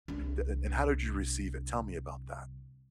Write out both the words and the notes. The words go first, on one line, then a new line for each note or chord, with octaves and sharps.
The and and how did you receive it? Tell me about that.
C2 D4